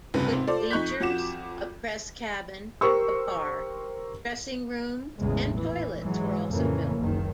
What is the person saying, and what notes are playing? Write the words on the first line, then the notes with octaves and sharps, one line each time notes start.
Wood bleachers, a press cabin, a bar, dressing-rooms and toilets were also built.
F1 C#2 G2 C3 B4
G#2 C3 C4
F4 A4 C5 D5
F2 D#4 C#6 F#6 G6 B6
F2 F4 F#4 D6 E7
G4 A#4 C5 C#6 E6
A1 E2 C#3 G#3
A#2 E3
G#2 E3 F#3 G#3
F2 A2 C#3 E3 A#3 C#4
F#1 C#2 D#3